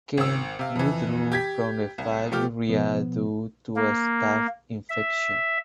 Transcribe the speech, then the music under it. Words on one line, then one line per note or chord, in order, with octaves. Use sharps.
Ken withdrew from the fight with Rea due to a staph infection.
G#1 E6
C3 F5
F2 E3
G4 G#6 B6
C2
F3 A3 G4 D6 F6
B2 F3 B3
A#3
E5